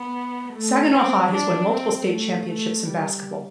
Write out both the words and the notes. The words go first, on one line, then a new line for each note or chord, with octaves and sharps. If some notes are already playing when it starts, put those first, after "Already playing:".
Saginaw High has won multiple state championships in basketball.
Already playing: B3
A3
C4
D4
C4
A3
A3
G3